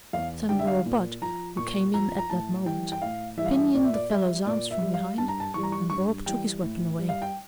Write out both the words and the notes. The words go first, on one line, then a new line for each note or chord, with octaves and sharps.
Samuel Budd, who came in at that moment, pinioned the fellow's arms from behind and Bob took his weapon away.
E2 F5
D3 G3 G5
E5
F5
A#2
F3 A#5
A#2 C#6
F3 A#5
A#5
A2 A5
E3 G3 G5
G5
A2 F5
E3 G3 E5 F5
E5
A#2 D5
E5
D5
G3 E5
A#2 D5
E5
G3
F5
G2 A5
A#5
A5
E3 G3 C#6
A#5
C#6
G2 C#6
E3 G3 G5
A2
G3
F5
G5